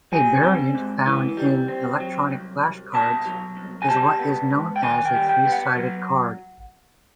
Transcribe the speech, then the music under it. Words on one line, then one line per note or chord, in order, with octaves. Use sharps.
A variant, found in electronic flashcards, is what is known as a three-sided card.
G3 G#5
C4
G#2
E3
G3
C4
F#3
C2
C2
B2 A5
F#3
C2
G#5
G3 A5
B3
G#2
G5
D#3 G#5
G5
G3
G5
B3
F#5
F#3